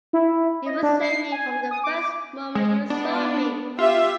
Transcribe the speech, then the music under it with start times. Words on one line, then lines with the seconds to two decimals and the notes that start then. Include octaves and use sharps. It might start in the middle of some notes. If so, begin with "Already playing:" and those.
You resent me from the first moment you saw me!
0.13 E4
0.66 D#5
0.83 D4
1.02 C7
1.32 G#5
1.71 D#6
1.84 D6
2.55 G#3
2.90 B3 D4
3.79 F4 G4 E5